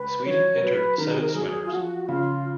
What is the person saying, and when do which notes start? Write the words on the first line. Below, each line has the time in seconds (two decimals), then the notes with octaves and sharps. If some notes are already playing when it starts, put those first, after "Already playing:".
Sweden entered seven swimmers.
Already playing: C#2 B4
0.25 F#3 C#5
0.54 A#4
0.61 F#3 B4
0.98 D#3 A#4
1.10 G#4
1.21 A#4
1.35 F#3 G#4
1.64 F4
1.72 F3 F#4
2.04 F#4
2.08 C#3 F4